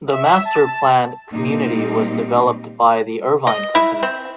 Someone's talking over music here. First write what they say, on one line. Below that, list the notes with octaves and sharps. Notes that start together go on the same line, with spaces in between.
The master-planned community was developed by the Irvine Company.
E5
A5
A#2 G3 A#3 C4 D#4 G4
D#5
E4
C4